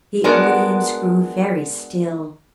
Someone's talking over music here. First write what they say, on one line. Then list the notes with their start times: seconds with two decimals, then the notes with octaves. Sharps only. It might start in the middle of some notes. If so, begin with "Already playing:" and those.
The audience grew very still.
0.24 G#3 B3 D4 F#4 A#4 D5